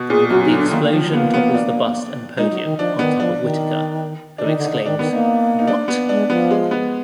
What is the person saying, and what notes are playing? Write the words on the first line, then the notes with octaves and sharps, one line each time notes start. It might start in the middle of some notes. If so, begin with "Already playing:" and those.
The explosion topples the bust and podium on top of Whitaker, who exclaims what?...
Already playing: B2
A#2 G#4
F#2 F#4
D#4
D3
D4
D#3 A#3
A#3
F3 F#3
F#3
A#3 B3
B3
D4
G#3 D#4
F#3
D#3
F3 D4
D#3 B3
F3 D4
D#3
D4
D#3 D#4
D3
D#4
D3
D#3 D4
D#3 B3
A#3 D#4
D#4
D4
B3
G#3 D4
F3 B3
G#3
B3